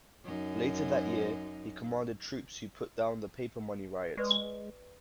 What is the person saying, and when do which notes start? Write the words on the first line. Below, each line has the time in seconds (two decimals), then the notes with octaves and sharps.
Later that year, he commanded troops who put down the Paper Money Riot.
0.25 F#2 D#4
4.17 G#3 B4 D5 C#6